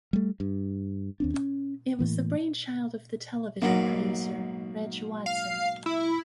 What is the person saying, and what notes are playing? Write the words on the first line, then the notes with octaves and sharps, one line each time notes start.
It was the brainchild of the television producer, Reg Watson.
G3 A3
G2
D#2 C4 D4
C#4
A2 E3 A#3
B1 G#2 B2 A#3
F5
E4